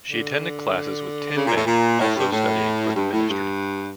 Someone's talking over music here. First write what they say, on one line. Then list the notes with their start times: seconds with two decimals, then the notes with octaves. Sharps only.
She attended classes with ten men also studying for the ministry.
0.10 D3
1.36 C#3
1.47 A#2
1.56 A2
1.66 A#2
2.00 A2
2.16 G2
2.32 A2
2.95 G2
3.12 A2
3.27 G2